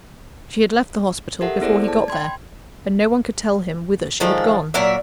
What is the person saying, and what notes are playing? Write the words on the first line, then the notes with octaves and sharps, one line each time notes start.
She had left the hospital before he got there; and no one could tell him whither she had gone.
G4 A4 A#4 E5 F#5
B3 E4 G#4 A4 C5 D5
D5 A5
G5 B5 C6 G#6
D#3 F3 G#3 A4
A#2 F#3 A#4 E5